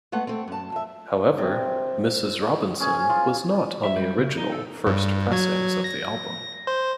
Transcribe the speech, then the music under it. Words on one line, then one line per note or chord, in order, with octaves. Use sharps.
However "Mrs. Robinson" was not on the original, first pressings of the album.
G#3 A3 B3 F#5
A3 C4
F#2 A5
F2 E5
C3
C#4 G#4
F4
E5
G3
C#3
D#4
A4
G2
F#3 G#6
A#6
C5